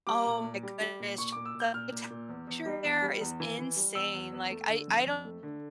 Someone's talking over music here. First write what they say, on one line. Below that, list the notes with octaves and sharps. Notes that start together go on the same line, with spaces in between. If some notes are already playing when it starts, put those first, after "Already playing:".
oh my goodness, the architecture there is insane, like, I I don't
G3 D6
A#2
A#2
G3
G3
A#2
A#2 C#6
A#2 D6
E6
A#2
G6
A#2 F6
A#2
A#2
E2
E2
G3
E2
G3
E2
E3
E3
G3
E2 E6
E2
E2
A3
D3
F2
F2
A3
D3